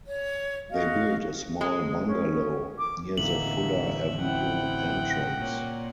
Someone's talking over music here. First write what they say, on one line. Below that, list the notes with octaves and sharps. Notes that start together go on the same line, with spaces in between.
They built a small bungalow near the Fuller Avenue entrance.
C#5
F#4 D#5 F5
G#3
C#4
D6
A1 D3 E3 A#3 B3 D#4 E5 F#7
C4 E4 F#5 G5
A#2 C#5